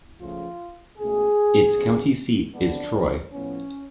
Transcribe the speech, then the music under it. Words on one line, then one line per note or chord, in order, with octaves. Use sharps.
Its county seat is Troy.
C#2 C#3 F3 A3 F4
C#2 B2 A3 G#4
D2 C#3 F#3 B3
F2 D3 G#3 B3 D4
A2 F3 B3 C#4